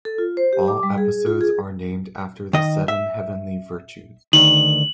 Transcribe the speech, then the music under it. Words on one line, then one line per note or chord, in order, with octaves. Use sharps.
All episodes are named after the seven heavenly virtues.
A4
F4
C5
G4
D6
G3
G#4
F4
G#4
D#3 D#5
E5
D2 D#3 F#7